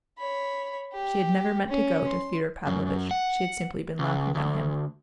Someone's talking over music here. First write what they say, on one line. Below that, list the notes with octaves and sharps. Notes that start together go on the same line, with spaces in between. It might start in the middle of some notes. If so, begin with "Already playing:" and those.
She had never meant to go to Fyodor Pavlovitch, she had simply been laughing at him.
C#5 B5
G4
C#4
C6
F#2
F#5
C#2
D2